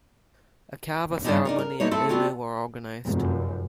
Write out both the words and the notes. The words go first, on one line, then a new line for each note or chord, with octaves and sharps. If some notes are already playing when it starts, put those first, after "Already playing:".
A kava ceremony and umu were organised.
G2 D#3 G3 B3 D4 D#4
D4 D#4 A#4
A#4
A#3 D#4 E4 C#5
A3 C4 E4 A4
B3 C4 D4 F4 F#4
F1 F#2